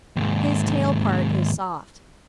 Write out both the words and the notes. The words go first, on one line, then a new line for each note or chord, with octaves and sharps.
His tail part is soft.
D#2 G#2